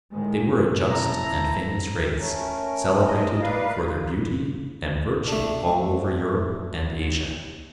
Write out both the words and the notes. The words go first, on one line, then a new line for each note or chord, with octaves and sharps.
They were a just and famous race, celebrated for their beauty and virtue all over Europe and Asia.
A2 D#3 G#3
F2 A#2 C#3
E4 A4 A#5
A3 C#4 A#4
D#5
A#3 A#4 B4 D5 F5
A3 D4